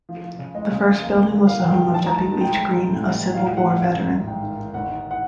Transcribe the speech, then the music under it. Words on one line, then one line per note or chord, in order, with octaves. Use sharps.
The first building was the home of W. H. Green, a Civil War veteran.
F3
F3
C#3
G#3 D#5
C#3
G#3
A#3
G2
D3
A#3 F5
G2
G5
F#3
D#3 A5
G#3 A#5
A5
D#3
G#3 G5
G#3
G#3
A2
G3
E3
G3 F5
A2
F#5
G3
A1 F5
G#2
A1
G#2 G5
D#3
D#3
G1 F#5
D#3
F#5